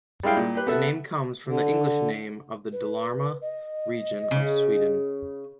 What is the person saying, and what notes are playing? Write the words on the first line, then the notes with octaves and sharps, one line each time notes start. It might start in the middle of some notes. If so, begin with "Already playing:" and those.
The name comes from the English name of the Dalarna region of Sweden.
G3 G#3 E4 F5 G5
A#2
G4 B4
B3 A4 E5
D3
B4
D#5
C#3